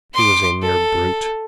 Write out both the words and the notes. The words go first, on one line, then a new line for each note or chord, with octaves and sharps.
He was a mere brute.
C6 D6
A4